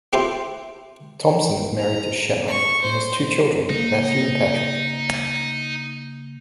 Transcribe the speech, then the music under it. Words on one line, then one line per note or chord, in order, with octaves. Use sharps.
Thompson is married to Sharon and has two children, Matthew and Patrick.
C4 E4 F4 G4 A4 C5
A#5
C#6
C5
C#3 A#3 D#4